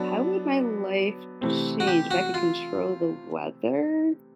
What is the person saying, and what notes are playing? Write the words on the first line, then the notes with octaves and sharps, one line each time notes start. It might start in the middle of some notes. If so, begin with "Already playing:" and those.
How would my life change if I could control the weather
Already playing: F#3 B3 D4 A4
C3 E3 A3 C4
F#4
G4
F#4
F4